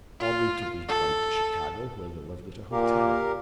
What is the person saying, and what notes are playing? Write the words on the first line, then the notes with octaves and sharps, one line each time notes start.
Aubrey took his bride to Chicago, where they lived at a hotel.
F4
A4
A#2 G4 A#4 F5